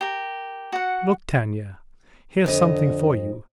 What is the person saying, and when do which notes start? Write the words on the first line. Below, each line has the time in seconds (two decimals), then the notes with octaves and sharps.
Look, Tanya, here's something for you!
0.01 G4 A#4
0.72 F#4 F#5
2.46 F2 D3 D#5